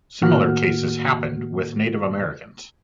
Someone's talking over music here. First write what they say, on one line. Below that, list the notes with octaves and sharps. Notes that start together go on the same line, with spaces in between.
Similar cases happened with Native Americans.
A2 D#3 A#3 F#4 F#5 F6